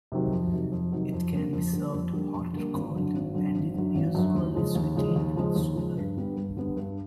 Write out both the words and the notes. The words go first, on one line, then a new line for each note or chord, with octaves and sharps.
It can be served hot or cold, and is usually sweetened with sugar.
C3 D#3 F#3
F2
C3 D#3 F#3
F2
C3 D#3 F#3
F2
D3 G3 A#3
F2
D3 G3 A#3
F2
D3 G3 A#3
F2
D3 G3 A#3
G#1
F#2 D3 F#3
G#1
F#2 D3 F#3
G#1
F#2 D3 F#3
G#1
F#2 D3 F#3
D#2
C#3 F3 G#3
D#2
C#3 F3 G#3
D#2
C#3 F3 G#3
D#2
C#3 F3 G#3
G2
D3 G3 B3
G2
D3 G3 B3
G2